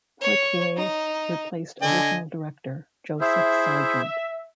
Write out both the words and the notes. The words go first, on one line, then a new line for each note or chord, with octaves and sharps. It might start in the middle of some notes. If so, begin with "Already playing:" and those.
Poitier replaced original director, Joseph Sargent.
C#5
D#4
D3 D#5 G#5
E4 G#4 C5 E5